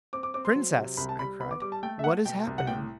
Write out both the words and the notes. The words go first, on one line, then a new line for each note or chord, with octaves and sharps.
"Princess!" I cried, "what is happening?"
C4 D6
D6
C4 D6
C6
F#3
C3
C2 B5
A5
G3 B5
B3 B5
D6
G3 D6
A5
A3 G5
E5
A3 F#5
B2 G5
C2
F#5
A2 G5